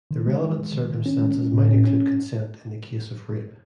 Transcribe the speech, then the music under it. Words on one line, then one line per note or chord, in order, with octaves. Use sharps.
The relevant circumstances might include consent in the case of rape.
D#3
G#3
G#3
D#3
D#3
D#3
C#4
G#3
C#4
A2
C#4
C#4